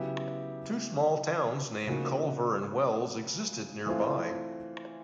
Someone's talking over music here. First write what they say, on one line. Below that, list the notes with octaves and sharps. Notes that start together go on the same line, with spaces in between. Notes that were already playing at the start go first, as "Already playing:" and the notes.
Two small towns named Culver and Wells existed nearby.
Already playing: C#3 F#3 B3 E4 G4
C#3 F3 A#3 D#4 F#4
E3 A3 C4 F4